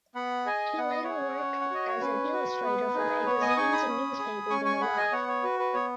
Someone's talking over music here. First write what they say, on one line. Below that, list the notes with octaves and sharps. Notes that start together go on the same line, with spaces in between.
He later worked as an illustrator for magazines and newspapers in Iraq.
B3 F#5 B5
G#4 D#5 G#5
B3 F#5
D#5
G#4 C#5 F#5
C#4
F#5
F#4 D#5
C#5
C#4 B4
F#4
B3
D#4 G#4
B3 C#5
D#5 G#5
D#6
D#4 G#4 G#5 C#6
B5 D#6
C#4
G#4
C#4 G#5 C#6
G#5 C#6
G#4 F#5 B5
D#5 G#5
B3 C#5 F#5
C#5
F#4 B4
B4
B3 C#5